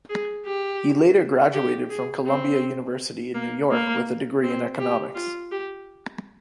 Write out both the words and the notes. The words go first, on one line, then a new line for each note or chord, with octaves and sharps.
He later graduated from Columbia University in New York with a degree in economics.
G#4
G4
G4
G#4
C4
A#3
A#3
C4
G4
F4
G4